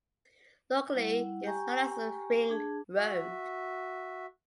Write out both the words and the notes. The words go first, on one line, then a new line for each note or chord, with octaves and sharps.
Locally, it is known as Ring Road.
G3 E4 F#5
G4 G5 G#5 A#5 C#6
D4 G#4 A5
F#4 E5